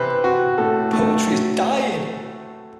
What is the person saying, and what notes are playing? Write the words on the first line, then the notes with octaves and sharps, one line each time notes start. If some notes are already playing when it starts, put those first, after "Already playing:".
Poetry is dying.
Already playing: C3 E3 B4 C5
C4 F#4
A2 A4
A3
F#3